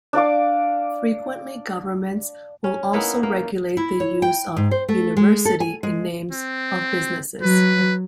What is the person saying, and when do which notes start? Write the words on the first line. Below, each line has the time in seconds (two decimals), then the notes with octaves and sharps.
Frequently governments will also regulate the use of "university" in names of businesses.
0.13 D4 D5 F5 D6
2.64 C#4
2.93 A#3 B3 D#4 E4
3.23 A#3
3.77 E4
4.00 C#5
4.22 G5
4.57 G#2
4.71 C5
4.89 A3
5.17 G#3
5.45 A4
5.60 G#5
5.83 G#3
6.31 C4
7.42 F#3 B4